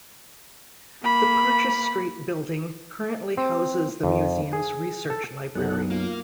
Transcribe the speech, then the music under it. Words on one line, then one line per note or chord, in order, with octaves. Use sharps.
The Purchase Street Building currently houses the museum's Research Library.
A#3 B5
C4
F2
G#4
A4
B1 F#2 A4 F#5
A#3 F4